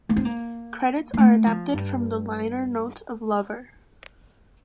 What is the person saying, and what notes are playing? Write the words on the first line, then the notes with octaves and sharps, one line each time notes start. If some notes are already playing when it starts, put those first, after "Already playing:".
Credits are adapted from the liner notes of "Lover".
A#3
C4
A#3
A#3
A3
F3
G2